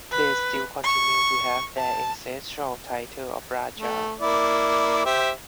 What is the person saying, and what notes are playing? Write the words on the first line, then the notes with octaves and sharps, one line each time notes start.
They still continued to have their ancestral title of Raja.
B4
C#6
A5
A3
A#3 E4 D5
G4 C5 E5